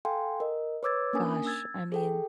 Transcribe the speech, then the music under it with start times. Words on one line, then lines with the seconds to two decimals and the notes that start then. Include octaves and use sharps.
Gosh, I mean,
0.05 A4 F5 G5 G#5 C6
0.40 A#4 D#5
0.83 B4 C#5 D6 E6 G#6 A6
1.13 A#3 C#4 D4 A#4 G#5 D#6
1.46 E6 G#6 A6
1.92 G#4 A4 G5